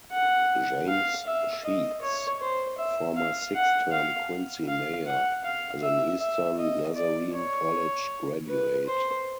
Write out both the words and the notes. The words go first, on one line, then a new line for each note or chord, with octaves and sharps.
James Sheets, former six-term Quincy mayor, is an Eastern Nazarene College graduate.
F#5
F5
E5
D#5
C#5
C5
E5
F5
F#5
F5
F5
F#5
F5
E5
E5
D#5
D5
C#5
B4
C5